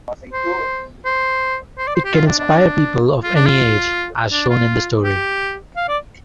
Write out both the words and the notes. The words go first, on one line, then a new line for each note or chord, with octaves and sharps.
It can inspire people of any age, as shown in the story.
C5
C5
C5
D5
C5
G4
F4
D4
D4
F4
D4
F4
D4
F4
G4
F5
D5